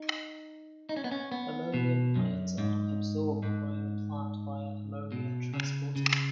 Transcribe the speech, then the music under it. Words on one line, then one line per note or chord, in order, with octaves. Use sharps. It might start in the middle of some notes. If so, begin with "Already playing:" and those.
Ammonium ions are absorbed by the plant via ammonia transporters.
Already playing: D#4
D#4
C#4
B3
C#4
B3
B2
F#2
G#2
G#2
B2
C#3
C#3